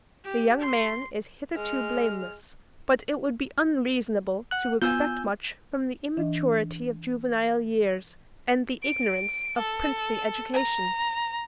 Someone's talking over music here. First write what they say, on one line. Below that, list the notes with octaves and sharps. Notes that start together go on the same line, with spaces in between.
The young man is hitherto blameless; but it would be unreasonable to expect much from the immaturity of juvenile years, and the ignorance of princely education.
G4
C6
G#3 F6
F#5 F#6
B3 F4 G#5 E6 G6
E3 D4 D#5
D7
A4
A#5